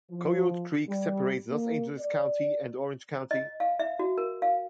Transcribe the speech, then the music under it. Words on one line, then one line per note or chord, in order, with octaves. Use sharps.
Coyote Creek separates Los Angeles County and Orange County.
F3
G3
A#3
D5
D#5
F5
E5
F#4
A#4
F5